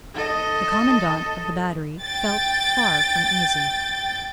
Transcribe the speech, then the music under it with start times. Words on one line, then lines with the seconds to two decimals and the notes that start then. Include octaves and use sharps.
The commandant of the battery felt far from easy.
0.14 A4 D#5
2.02 G5 A6